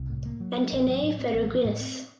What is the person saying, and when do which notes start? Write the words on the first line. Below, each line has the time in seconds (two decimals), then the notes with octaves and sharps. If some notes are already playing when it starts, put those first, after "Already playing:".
Antennae ferruginous.
Already playing: C2
0.10 A2
0.25 A#3
0.40 F#3
0.57 C#4
0.72 A1
0.88 F#3
1.03 A2
1.19 C4
1.34 A1
1.49 F3
1.65 A2
1.81 C4